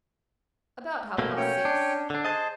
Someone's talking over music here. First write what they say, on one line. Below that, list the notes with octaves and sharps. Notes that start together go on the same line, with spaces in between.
"About half-past six."
B2 A3 A#3 C#4
C#4 C#5 G5
D4
D3 D4
G#4 C5 D#5 A5